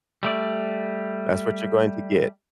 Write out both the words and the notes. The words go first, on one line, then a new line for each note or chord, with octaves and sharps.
That's what you're going to get.
G3 A3 D5